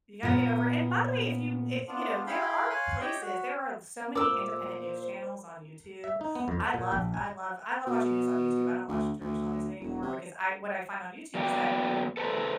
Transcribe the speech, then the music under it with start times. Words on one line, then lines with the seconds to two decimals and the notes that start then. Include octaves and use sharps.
You gotta get over and by the way, if you i you know, there are places, there are so many independent news channels on YouTube. I love I love I love watching news on YouTube, I don't watch traditional news anymore because I what I find on YouTube is that
0.23 A#2 B3
1.88 B3 D4 F4
2.27 E4 G#4 F5 G5 B5 C6
2.70 C#5 F5 G#5 C6 F#6
3.01 G4 C#5 D#5 G5
3.21 F#4
4.16 A#2 A#4 C5 D6 E6
6.04 E5
6.21 D#4
6.35 B3
6.48 F2
6.60 A5
6.74 A#2
6.92 A#1
7.14 G#5
7.87 B2
8.88 D2
9.20 D2
9.79 E1
10.02 C3
11.35 F#3 A#3 B3 D5 G5
12.17 A4 B4 C5 A5